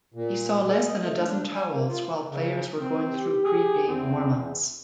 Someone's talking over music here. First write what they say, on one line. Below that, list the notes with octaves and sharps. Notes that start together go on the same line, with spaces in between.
He saw less than a dozen towels while players were going through pre-game warm-ups.
A#2
G#4
D#5
A3
D4
G#5
A#3
F4
C#3
C4
G4
G#4
E2 C4